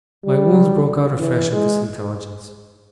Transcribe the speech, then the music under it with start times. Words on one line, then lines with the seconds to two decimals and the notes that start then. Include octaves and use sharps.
My wounds broke out afresh at this intelligence.
0.25 G3
1.20 E3
1.53 G#3